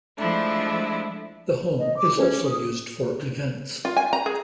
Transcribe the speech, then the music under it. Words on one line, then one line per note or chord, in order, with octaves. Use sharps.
The home is also used for events.
F3 G#3 A3 D4 E4
D#5
D6
C#4
D#6
F4
G#5
A#5
G#4